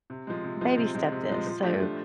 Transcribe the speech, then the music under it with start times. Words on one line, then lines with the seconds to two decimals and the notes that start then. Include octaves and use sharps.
baby-step this." So,
0.10 C3
0.27 F3 G#3
0.44 C3
0.61 F3 G#3
0.77 C3
0.95 F3 G#3
1.12 C3
1.29 F3 G#3
1.46 F3
1.63 A3 D4 G4
1.80 F3